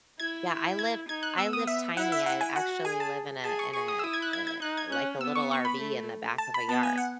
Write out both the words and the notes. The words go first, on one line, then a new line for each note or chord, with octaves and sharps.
Yeah, I live I live tiny. I actually live in a in a, eh, like, a little RV in the back of a yard.
E4 G#6
G#6
D#4 G#6
F#6
B3 E6
D#6
E5
E4 F#5
E5
E4 F#5
G#5
F#4 F#5
G#4 G#5
A5
G#4 A5
C#6
G#4 C#6
D#6
E6
E4 D#6
G#6
F#6
G#6
G#6
D#4 F#6
G#6
C#4 F#6
B3 E6
C#6
C#6
B5
A3
A5
B5
B3 A5
G#5
F#5